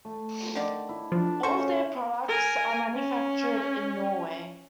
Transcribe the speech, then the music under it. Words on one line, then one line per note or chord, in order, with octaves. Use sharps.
All of their products are manufactured in Norway.
A3
D3 D#3 D5
E4
F3 D4
C#3 C#4 F#4 A4 C5 C#6
A#4 G#5
C#4